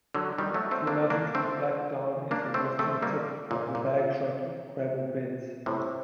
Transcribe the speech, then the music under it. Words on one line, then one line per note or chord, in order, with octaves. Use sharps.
Geologically, Black Down is the western tip of the Bagshot gravel beds.
D3 F#3
D#3 G3
F#3 A3
A3 C4
A#3 D4
A#3 D4
A3 C4
A#3 D4
A3 C4
A3 C4
G3 A#3
A#2
A#2
A2 C3